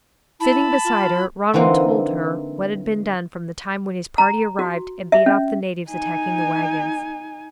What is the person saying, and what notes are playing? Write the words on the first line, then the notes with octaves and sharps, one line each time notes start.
Sitting beside her, Ronald told her what had been done from the time when his party arrived and beat off the natives attacking the waggons.
E4 A5 B5
F4
D3 E3 A#3 C4 D#4
A#5
F#4
E5
C#4
D#4 G#5